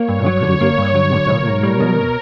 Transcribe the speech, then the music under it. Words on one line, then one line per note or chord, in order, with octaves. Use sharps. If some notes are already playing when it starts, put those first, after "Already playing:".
'How could it have come without any warning?
Already playing: A#3 C#5
G2
F#3
D3
A#3
G2
F#3
D3
B1 A#4
B1
G3
B2